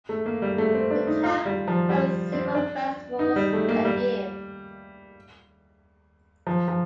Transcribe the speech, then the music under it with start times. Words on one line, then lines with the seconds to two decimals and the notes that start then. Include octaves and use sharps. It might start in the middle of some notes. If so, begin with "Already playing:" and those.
The town hosts several festivals a year.
0.09 A3
0.26 A#3
0.42 G3
0.58 A3
0.75 C4
0.91 D4
1.07 D#4
1.24 F4
1.45 G3
1.68 F3
1.89 G3
2.33 C4
2.55 D4
3.19 D#4
3.36 G3
3.53 A3
3.68 A#3
3.85 G3
6.47 F3
6.68 F3